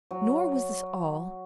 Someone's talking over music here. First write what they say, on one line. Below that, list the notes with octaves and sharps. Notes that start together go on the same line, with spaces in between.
Nor was this all.
F#3